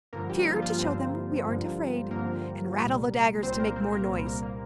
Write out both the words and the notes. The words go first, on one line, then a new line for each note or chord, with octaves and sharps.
'Cheer to show them we aren't afraid, and rattle the daggers to make more noise.
G2 D3 F3 A#3 A#4
G3 G4
F3 F4
F3 F4
G2 D3 F3 C4 C5
G2 D3 F3
G2 D3 F3 A#3 A#4
C2 A#2 G3
C2 A#2 G3 C4 C5
C5
A#3 A#4
C4 C5
A#3 A#4
C2 A#2 G3
A#3 A#4
A#3